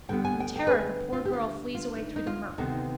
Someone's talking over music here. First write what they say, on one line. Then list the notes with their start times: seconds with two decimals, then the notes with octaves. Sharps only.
In terror the poor girl flees away through the murk.
0.09 D2 D3 G3 B3 G5
0.25 G#5
0.40 G5
0.56 G5
0.67 B4
0.71 G#4
1.13 F4
1.25 G4
1.33 F4
1.75 F4
1.95 D#4
2.16 D#4
2.27 F4
2.58 D2 C3 D#3 B3 D#4